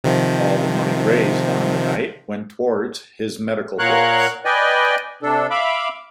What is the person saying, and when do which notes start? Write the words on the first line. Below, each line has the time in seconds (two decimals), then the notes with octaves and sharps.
All the money raised on the night went towards his medical bills.
0.04 C3 D#3 F3
3.79 A#2 A#4 C#5 F5 F#5 F#6
4.45 B4 D5 D#5 G5 G#5
5.23 C3 D4 A4
5.50 E5 F5 B5 D6